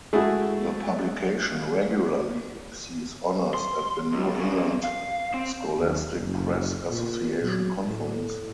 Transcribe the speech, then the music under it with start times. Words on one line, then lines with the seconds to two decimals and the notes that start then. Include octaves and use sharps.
The publication regularly receives honors at the New England Scholastic Press Association conference.
0.13 G#3 A3 E4 F#4 G#4
3.54 C6
4.12 C#2
4.36 A#2 C#4
4.84 F5
5.34 C4
5.78 D#2
6.17 F#1
6.89 A#2
7.43 F#3
7.88 A2